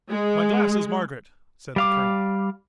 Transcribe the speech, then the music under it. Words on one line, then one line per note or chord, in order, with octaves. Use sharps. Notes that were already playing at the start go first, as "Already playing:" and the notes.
"My glasses, Margaret!" said the colonel.
G#3
G3 F5 D6